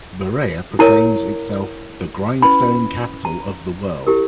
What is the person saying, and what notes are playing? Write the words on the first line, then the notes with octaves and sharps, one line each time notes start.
Berea proclaims itself "The Grindstone Capital of the World".
E4 A#4 C#5 A#5
C#4 E4 B4 B5
A#5
E4 G4 A#4